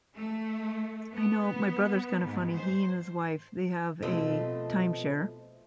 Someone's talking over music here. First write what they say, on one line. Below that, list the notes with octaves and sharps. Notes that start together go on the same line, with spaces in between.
I know my brother's kinda funny, he and his wife, they have a timeshare
A3
B3
G#2
C5
B2 F3 A3 C4 D#5